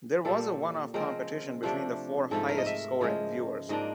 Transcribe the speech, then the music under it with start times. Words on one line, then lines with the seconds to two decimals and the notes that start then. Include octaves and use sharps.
There was a one-off competition between the four highest scoring viewers.
0.25 A#2 G3 A#3 A4
0.94 C#3 F3 G#3 C4 A#4
1.63 C3 F3 A3 D4
2.31 G#2 F3 A3 A4
2.49 A#4
2.58 D#5
2.66 E5
3.01 C#3 F3 G#3
3.69 G#2 F3 A#3 D4 D#5